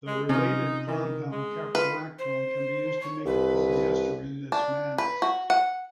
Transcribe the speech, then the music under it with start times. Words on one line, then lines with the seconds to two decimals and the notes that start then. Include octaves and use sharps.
The related compound caprolactone can be used to make a polyester in this manner.
0.07 G#3
0.29 C3 C#4 D#4 F4
0.87 D#3
1.32 G#3
1.75 F4 B4
2.18 C5
3.00 C#5
3.26 C2 B4
4.52 D4
4.98 B4
5.22 F#4
5.50 F#5